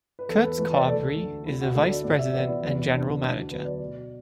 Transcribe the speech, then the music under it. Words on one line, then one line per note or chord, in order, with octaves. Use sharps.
Kurt Carberry is the vice president and general manager.
B4
E2 A4
B4
E3 A3 B4
D5
D2 A4
D3 A3
D2 E4
F#4
F#4
D3 A3 A4
D5
A2 D5
E5
E3 B3 D5
F#4
E4
E2 E4
B2 B3 D4
D2 D4
F#4
D3 F#3 B3 B4
D5
B2